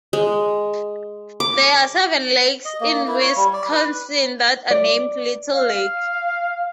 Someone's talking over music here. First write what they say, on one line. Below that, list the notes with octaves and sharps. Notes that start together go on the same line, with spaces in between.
There are seven lakes in Wisconsin that are named Little Lake.
G#3
D6
D#5
A#3
E4
C#5
G3
D5
B4
D5
F5